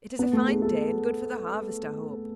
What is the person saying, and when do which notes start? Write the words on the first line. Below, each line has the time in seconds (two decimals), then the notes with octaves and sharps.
It is a fine day, and good for the harvest, I hope.
0.19 B3
0.33 A3
0.48 G#4
0.62 A4